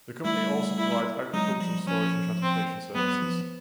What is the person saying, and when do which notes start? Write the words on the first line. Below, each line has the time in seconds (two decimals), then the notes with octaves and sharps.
The company also provides agricultural storage and transportation services.
0.25 G3 A3 E4
0.78 E4
1.34 F#3 G#3 D#4
1.60 F3 G3
1.87 F3 C#4
2.42 C4
2.95 F#3 B3
3.22 F3